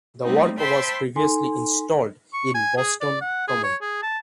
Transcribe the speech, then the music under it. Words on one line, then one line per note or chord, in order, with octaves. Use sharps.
The work was previously installed in Boston Common.
G3 A3 A#3 C4 D#4
C5 E5 G5 A5 B5 C6
D#4 A4 G#5 C6
C#6
G#5
G#4
D5
F#5
G#4
C#5
G#4
A5